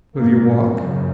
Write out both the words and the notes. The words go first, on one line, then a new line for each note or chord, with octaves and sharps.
"Will you walk?"
G#2 A#3
F#2 C#3